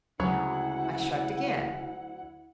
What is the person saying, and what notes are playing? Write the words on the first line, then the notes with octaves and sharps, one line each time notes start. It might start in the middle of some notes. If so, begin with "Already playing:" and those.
I shrugged again.
D2 C#3 F#3 G#3 E4 F#5